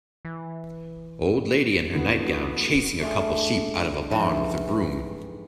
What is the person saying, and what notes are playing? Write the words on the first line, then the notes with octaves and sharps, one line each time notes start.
Old lady in her night gown chasing a couple sheep out of a barn with a broom.
E3
E2 D3 A3 B3 F#4
A3 D4 F4 G#4
F2 G#2 E3